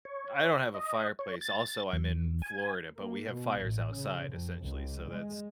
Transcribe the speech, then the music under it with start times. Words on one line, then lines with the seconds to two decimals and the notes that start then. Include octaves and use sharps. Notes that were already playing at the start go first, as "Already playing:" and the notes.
I don't have a fireplace, also, I'm in Florida, but we have fires outside, essentially. So, that's
0.05 C#5
0.74 D#5
1.19 C#5
1.41 A6
1.93 E2
2.42 G#5
2.97 A#3
3.30 B2
3.60 A1
3.93 C#3
4.30 F2
4.61 C#2
5.10 G#3